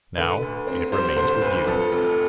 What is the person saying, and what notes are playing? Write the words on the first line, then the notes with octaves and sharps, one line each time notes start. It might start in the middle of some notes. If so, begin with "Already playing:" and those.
Now it remains with you.
D3 B4
D2
C4
G3 C5
D3 C5
D2 B4
F2 A4
F1